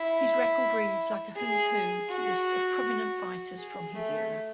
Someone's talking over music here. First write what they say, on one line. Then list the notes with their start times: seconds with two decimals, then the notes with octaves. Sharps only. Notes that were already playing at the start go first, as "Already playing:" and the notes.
His record reads like a "who's who" list of prominent fighters from his era.
Already playing: E4
1.36 G#4
2.09 F#4
3.57 G#4
3.94 A3